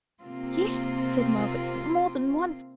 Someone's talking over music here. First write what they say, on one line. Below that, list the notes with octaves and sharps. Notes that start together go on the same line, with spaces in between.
'Yes,' said Margaret, 'more than once.
C3 A#3 C4 F4